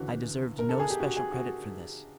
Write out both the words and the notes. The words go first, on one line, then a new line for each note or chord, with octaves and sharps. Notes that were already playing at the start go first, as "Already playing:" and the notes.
I deserved no special credit for this.
Already playing: D2 C#3 E3 F#4
A#4
A4
G#4
G4
F#4
G#4
F#4